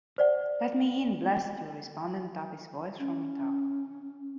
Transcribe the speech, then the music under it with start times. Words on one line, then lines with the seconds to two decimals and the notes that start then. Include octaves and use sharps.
'Let me in, blast you!' responded Tuppy's voice from without.
0.18 C5 D5 F#5
2.99 C#4